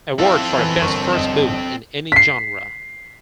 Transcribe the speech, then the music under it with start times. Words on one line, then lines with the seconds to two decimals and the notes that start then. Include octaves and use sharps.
Award for a best first book in any genre.
0.19 C4 E4 A4 F5
0.58 E3
0.82 G1 A#4 C#6
1.13 G1 D#5 E7
2.12 B6 C7